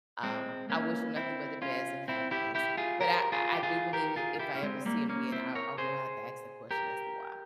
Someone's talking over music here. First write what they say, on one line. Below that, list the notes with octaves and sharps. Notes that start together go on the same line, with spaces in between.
um, I wish him nothing but the best and happiness. But I I I, do believe if I ever see him again, I I will have to ask that question as to why.
G#3 C4
A#3 C#4
C4 E4
C#4 F4
C4 E4
E4 G4
E4 G4
F4 G#4
G4 A#4
F4 G#4
G4
F4 G#4
G4 A#4
F4 G#4
F4
E4 G4
C#4
G#3 C4
G3 A#3
A#3 C#4
C4 E4
A#4 C#5
G#4 C5
G4 A#4